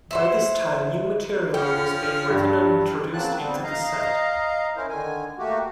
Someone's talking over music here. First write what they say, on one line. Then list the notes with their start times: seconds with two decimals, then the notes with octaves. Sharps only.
By this time new material was being written and introduced into the set.
0.11 E4 C5 F#5
1.54 F3 C#4 F#5 G5 F6
2.30 G2 G4
3.13 C#3 F#3 A#3 C4 A5 F#6
3.39 G3 B3 C4
3.64 D#5 F5 A#5
4.76 C#4 E4 A#4 C5
4.89 D3 D#3 G#5
5.39 A3 A#3 F#4 G4